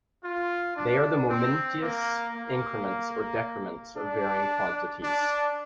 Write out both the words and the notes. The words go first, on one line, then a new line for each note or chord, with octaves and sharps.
They are the momentaneous increments or decrements of varying quantities.
F4
D4
C4
A#3
A#3
D4
D4